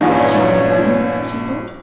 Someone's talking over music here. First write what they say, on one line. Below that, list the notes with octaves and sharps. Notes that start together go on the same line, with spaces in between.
"Shall I go?" she thought.
A#1 E2 G2 A#2 C#4 D#4 F4 G#4